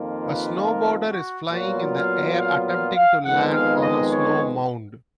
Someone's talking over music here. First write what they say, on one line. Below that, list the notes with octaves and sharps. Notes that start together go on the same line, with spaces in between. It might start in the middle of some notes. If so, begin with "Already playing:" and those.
A snowboarder is flying in the air attempting to land on a snow mound.
Already playing: F2 D#3 A#3 F4
B4
A#4
F#4
A#2 F#3 B3 F4 F#4
F5
F5
F5
F5
F2 D#3 G#3 B3 F#5
F5
D#5
C#5